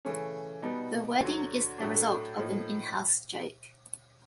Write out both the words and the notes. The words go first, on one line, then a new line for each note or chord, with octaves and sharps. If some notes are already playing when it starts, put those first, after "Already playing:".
The wording is the result of an in-house joke.
C#3 E3 A3 C#4
B2 G3 B3 D#4
D2 D3 F#3
A2 F#3 A3 D4
A2 F3 A#3 D#4